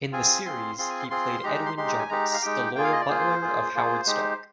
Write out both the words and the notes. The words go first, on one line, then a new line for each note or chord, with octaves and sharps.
In the series, he played Edwin Jarvis, the loyal butler of Howard Stark.
C4 F4 G#4 G#5
C4 F4 G#4 C6
C4 F4 G#4 C6
G#5
C6
C4 F4 G#4 C6
G#3 D#4 G4 A#5
A#5
C6
G#3 D#4 G4 C6
A#5
G#5
G#3 D#4 G4 A#5
F5
G#3 D#4 G4 G5
A#3 F4 G#4 G5
F5
D#5
D5
A#3 F4 G#4 C5
A#3 F4 G#4
A#3 F4 G#4
G#3 D#4 G4